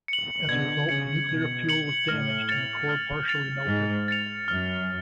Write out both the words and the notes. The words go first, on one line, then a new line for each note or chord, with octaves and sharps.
As a result, the nuclear fuel was damaged, and the core partially melted.
C#7 F#7
B2 D3 G#6
C#3 C#7 F#7
B2 G#6
C#7 F#7
A2 F6
A6 C#7 F7
F6
A6 C#7 F7
G#2 F6
A6 C#7 F7
F#2 F6